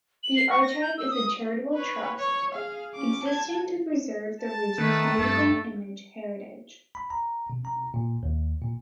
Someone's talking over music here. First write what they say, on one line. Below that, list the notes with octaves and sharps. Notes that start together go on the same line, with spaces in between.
The archive is a charitable trust, existing to preserve the region's moving image heritage.
F#7
C7
C#6
A#6
G6
E6
D#6
B4 C#5
C#5
G#4 F5
C#4 D6
A5 G#6
A5
D#3 A3 B4
G2 A4
B5
A#5
B2
A#5
A#2
D#2
A#2